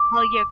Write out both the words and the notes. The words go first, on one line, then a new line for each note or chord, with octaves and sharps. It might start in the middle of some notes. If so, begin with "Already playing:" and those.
Well, you're
Already playing: D6